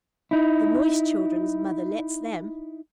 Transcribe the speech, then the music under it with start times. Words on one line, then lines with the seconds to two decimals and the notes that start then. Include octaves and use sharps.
"The Noyse children's mother lets them."
0.31 D#4 E4